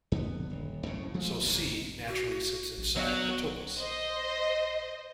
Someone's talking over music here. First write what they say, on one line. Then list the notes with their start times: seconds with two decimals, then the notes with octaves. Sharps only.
So "C" naturally sits inside a topos.
0.12 F2 D3 B3
0.50 D#1
0.86 C2 F#2 A2 C#3
1.14 F3 G#3 A3
1.43 F1 D#2 G#2 C3
2.08 F#4
2.78 A#1
2.97 F#3 B3 F#4
3.78 C5 D#5